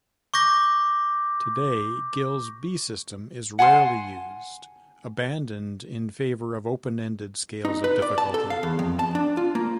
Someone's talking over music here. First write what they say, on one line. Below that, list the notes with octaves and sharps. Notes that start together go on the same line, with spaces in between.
Today, Gill's B-system is rarely used, abandoned in favor of open-ended scales of difficulty.
C#6 D6 G6 A#6
F#5 G#5 A5 C6
D#4
B4
D5
A5
A4
F5
E2
F2
A5
D4
F4
A#3